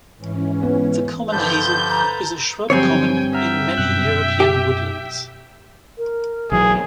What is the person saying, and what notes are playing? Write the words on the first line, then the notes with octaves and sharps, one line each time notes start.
The common hazel is a shrub common in many European woodlands.
G#2 E3 C#4
B3
G2 D3 F3 A4 B4 G6
A#5
G2 D3 F3 F#3 C4 C#5 G5 G#5
E5 F#5 G5 A#5 F6
F#2 B2 F#6
G4
A#4
B1 E3 F#3 G#4